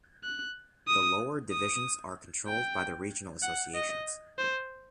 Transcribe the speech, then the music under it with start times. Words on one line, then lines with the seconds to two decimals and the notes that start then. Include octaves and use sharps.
The lower divisions are controlled by the regional associations.
0.24 F#6
0.88 D#6
1.51 D#6
2.47 G5
3.42 F#5
3.74 D#5
4.38 C5